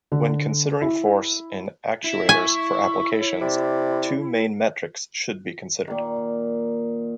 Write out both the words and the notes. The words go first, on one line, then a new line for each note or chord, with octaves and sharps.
When considering force in actuators for applications, two main metrics should be considered.
D3
E4
E4
G#5 C#6
C#5
C3 D5
A#2 D#3